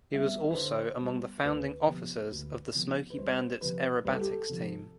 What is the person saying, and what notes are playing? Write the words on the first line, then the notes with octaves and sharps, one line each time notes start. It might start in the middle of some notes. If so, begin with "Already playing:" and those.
He was also among the founding officers of the "Smokey Bandits" Aerobatics Team.
G3 B3 E5
B4
D3 C5
G3 B3
D2 B4
C3 F3 B3
D2
C3 F3 B3
B4
C2 C5
C3 F3 B4
C2 B4
A4
G4
A4
C3 F3